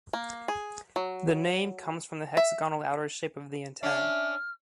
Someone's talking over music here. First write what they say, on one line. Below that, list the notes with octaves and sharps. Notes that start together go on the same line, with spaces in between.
The name comes from the hexagonal outer shape of the antenna.
A#3
G#4
F#3
E5
C#4 D4 E5 F6